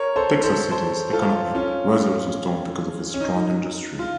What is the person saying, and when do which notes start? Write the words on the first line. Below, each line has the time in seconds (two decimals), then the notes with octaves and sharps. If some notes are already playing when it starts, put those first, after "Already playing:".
Texas City's economy weathered the storm because of its strong industry.
Already playing: A#4 C#5
0.16 A4 C5
0.43 A4 C5
0.71 A4 C5
1.13 F4 A4
1.55 C#4 F4
3.14 C#4
3.21 D#4
3.99 F4